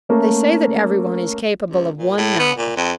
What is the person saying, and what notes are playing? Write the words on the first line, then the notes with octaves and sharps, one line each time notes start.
They say that everyone is capable of one novel.
A3 A#3 C#4
C#2
A#2
A2
B3
A#2
F2